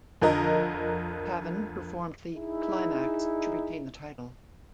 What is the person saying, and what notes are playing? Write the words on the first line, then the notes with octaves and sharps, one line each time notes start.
Taven performed the "Climax" to retain the title.
F2 D3 A#4 D#5 A#5
D#4 E4 G#4